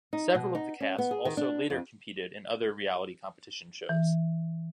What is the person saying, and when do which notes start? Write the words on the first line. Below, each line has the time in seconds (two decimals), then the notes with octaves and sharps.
Several of the cast also later competed in other reality competition shows.
0.13 D#4
0.35 B2
0.55 D#4
0.80 C#4
0.98 B3
1.11 G#4
1.25 D#3
1.37 D4
1.70 F2
3.89 E3